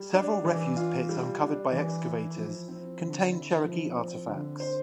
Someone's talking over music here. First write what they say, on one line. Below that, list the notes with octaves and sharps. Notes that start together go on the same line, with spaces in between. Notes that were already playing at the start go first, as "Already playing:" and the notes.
Several refuse pits uncovered by excavators contained Cherokee artifacts.
Already playing: G3
D4
E3
F4
G3
D4
E3
E4
F3
C4
D3
E4
F3
C4
D3
C5